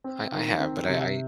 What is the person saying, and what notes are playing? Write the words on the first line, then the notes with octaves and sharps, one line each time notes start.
I I have, but I
C4
D#3
C4
C3